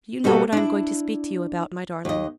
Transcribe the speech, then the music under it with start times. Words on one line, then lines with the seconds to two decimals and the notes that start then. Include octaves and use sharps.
"Do you know what I am going to speak to you about, my darling?"
0.24 B2 G3 B3 F#4 A4
0.52 D4 E4
2.05 D#2 D#5